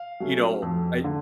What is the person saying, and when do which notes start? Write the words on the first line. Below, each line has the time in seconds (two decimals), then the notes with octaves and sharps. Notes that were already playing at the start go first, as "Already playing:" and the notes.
you know, I
Already playing: F5
0.20 F#3 A3 C#4
0.62 F2
1.04 D3